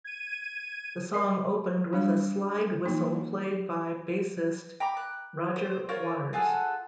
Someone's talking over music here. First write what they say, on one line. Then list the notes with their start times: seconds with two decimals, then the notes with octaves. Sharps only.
The song opened with a slide whistle played by bassist Roger Waters.
0.04 G#6 D#7
1.13 A#4 D5 D#5 C6
1.93 G3 D4
2.86 E3 A#3 D#4
4.80 G5 A#5 B5 D6
4.97 F#6
5.56 C5
5.89 F4 A#4 C5 C#5
6.33 F4 G#4 A4 F#5